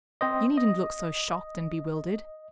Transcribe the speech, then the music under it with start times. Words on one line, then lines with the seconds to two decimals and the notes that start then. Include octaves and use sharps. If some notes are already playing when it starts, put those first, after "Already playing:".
You needn't look so shocked and bewildered.
0.21 C4 C5 D#5
0.58 D#5